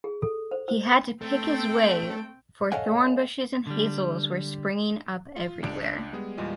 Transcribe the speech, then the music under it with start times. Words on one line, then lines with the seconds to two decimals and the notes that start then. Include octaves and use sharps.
He had to pick his way, for thornbushes and hazels were springing up everywhere.
0.04 G#4
0.22 A4
0.51 C5
0.68 C5
1.21 A3 C4 G5
2.72 A4 C#5 D#5 F5 F#5 G#5
3.67 D3 G3
5.36 F4
5.63 C#2 D4 D7
6.13 G3 G#3 B3 G#4
6.37 E2 A#2 G3 G#3 F4 D#5